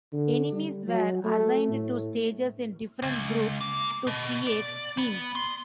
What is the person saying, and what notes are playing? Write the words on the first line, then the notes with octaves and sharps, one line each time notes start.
Enemies were assigned to stages in different groups to create themes.
D3
G3
F#3
A3
A2
C#2
A#3
B2
D5
B3
C6